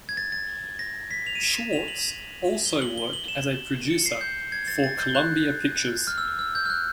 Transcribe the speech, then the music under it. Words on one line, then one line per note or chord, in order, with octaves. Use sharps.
Schwartz also worked as a producer, for Columbia Pictures.
G#6
A6
A6
A#6
B6
F7
D#7
E7
F7
F#7
G7
F#7
G7
F#7
E7
C#7
C7
G6
G#6
A6
A6
G6
F#6
F6
E6
E6
G6
F6
F#6